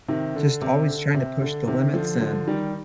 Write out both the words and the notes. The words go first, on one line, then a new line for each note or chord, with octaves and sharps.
just always tryna push the limits and,
C3 D#3
D3
C3
D3
C3
D3
C3 D#3
D3 F3
D3 F3
D#3 G3